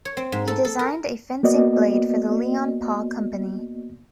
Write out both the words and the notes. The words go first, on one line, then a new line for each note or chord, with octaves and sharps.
He designed a fencing blade for the Leon Paul company.
C#5
C4
G#2
A4
A4
A#4
A#3 B3 F#4 D5 D#5